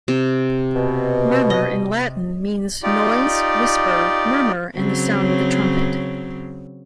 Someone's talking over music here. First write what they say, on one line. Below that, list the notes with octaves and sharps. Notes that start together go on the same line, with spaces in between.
'Murmur' in Latin means noise, whisper, murmur, and the sound of the trumpet.
C3
B2
D#5
D#4 F4 G4 D5
C#3 F#3 C4